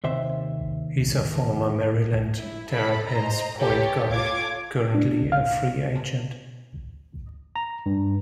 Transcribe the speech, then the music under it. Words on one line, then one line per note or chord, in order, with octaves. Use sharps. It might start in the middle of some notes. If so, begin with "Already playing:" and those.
He is a former Maryland Terrapins point guard, currently a free agent.
D#2 C3 C5 E5
E4
A4 B5
C5 D#5 A#5
G4 A4 B4 C#5
F4 A4 C#5 D6 G#6
D4
F5
A#5
G2